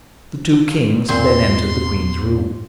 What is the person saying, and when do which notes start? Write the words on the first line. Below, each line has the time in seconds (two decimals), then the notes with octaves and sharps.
The two Kings then entered the Queen's room.
1.09 E2 A#2 C4 C6